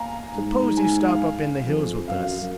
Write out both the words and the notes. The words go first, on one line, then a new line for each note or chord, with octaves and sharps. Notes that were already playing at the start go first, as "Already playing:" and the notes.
S'pose you stop up in the hills with us.
Already playing: F5 G#5 A#5
G#2
G#5
F5
F2
F#2 F5